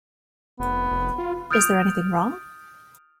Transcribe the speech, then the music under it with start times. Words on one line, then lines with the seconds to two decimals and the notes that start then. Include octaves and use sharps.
Is there anything wrong?
0.60 F1 B3
0.91 F1
1.18 F4
1.51 D#6 F6 G6 A6 D7 F7